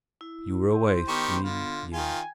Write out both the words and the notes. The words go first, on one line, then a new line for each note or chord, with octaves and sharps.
You were away three years.
E4
C5
D#3 B3 G4 C#6
D3 F4
D#3 F4 G5 G#5